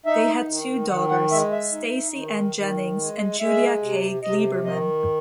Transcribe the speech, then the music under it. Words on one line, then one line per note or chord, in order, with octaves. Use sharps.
They had two daughters, Stacy Ann Jennings and Julia Kay Glieberman.
D#4 E5
D#3
D#3 F#5
F#5
G#3 E5
E5
D#4
D#3
D#3
G#3
G#3 E5
C3
C3 D#5
D#3 D#5